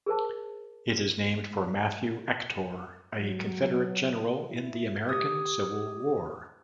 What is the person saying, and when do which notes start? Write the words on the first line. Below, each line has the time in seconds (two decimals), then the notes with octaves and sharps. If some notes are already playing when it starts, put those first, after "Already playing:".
It is named for Mathew Ector, a Confederate general in the American Civil War.
0.06 G#4 A#4 C5 A5
3.15 F#3
4.49 E4
5.08 G4 D#6 G#6